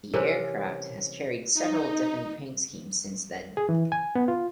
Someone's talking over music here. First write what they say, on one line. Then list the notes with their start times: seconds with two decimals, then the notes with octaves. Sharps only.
The aircraft has carried several different paint schemes since then.
0.14 C3 E3 C#4 A#4 C5
1.54 D#4
3.57 G#4
3.69 E3
3.92 G#5
4.15 B3
4.28 F4